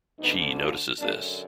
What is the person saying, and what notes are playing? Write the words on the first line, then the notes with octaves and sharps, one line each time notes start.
Chee notices this.
D2 D3 B3 D#4
D4 F4
F#2 D3 A#3 D4